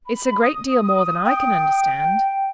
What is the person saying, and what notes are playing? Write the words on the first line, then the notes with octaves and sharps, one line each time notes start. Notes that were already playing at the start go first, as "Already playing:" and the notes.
"It's a great deal more than I can understand."
B5
D#6
G5